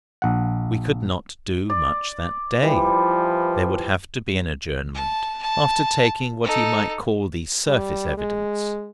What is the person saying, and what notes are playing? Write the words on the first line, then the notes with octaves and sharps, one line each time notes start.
We could not do much that day; there would have to be an adjournment, after taking what he might call the surface evidence.
A#1 F#5
D5
E3 F3 G3
A5
A5
D#4 A4
G3
G#3